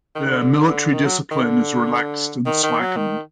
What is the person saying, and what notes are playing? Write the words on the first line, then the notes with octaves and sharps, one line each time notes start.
Their military discipline is relaxed and slackened.
D#3
D3
D3
D3
D#3
F#3
D#3
D3
D#3
D#3
F#3
D#3